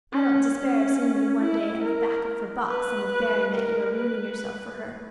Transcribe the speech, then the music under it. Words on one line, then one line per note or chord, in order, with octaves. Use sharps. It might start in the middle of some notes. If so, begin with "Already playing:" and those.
I don't despair of seeing you one day at the back of her box, and of bearing that you are ruining yourself for her.
C#4
C#4
E4
A#4
B4
A#4
B4